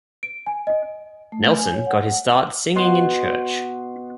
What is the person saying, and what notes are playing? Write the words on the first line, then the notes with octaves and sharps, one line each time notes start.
Nelson got his start singing in church.
D7
G#5
D#5
A3
G#5
C#5
F#5
B2 C6